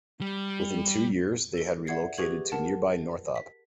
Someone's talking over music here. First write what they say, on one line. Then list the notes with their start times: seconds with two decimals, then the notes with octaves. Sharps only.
Within two years they had relocated to nearby Northop.
0.21 G3
1.54 A4 G7
1.87 D5 E5 F#5 G#6 C7
2.18 G4 G#4 B4 C#6 G#6 F#7
2.52 A#4 F#5 A5
3.36 B6